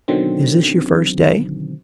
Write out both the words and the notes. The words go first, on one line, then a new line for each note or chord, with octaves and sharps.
Is this your first day?'
B2 D3 D#3 F#3 C4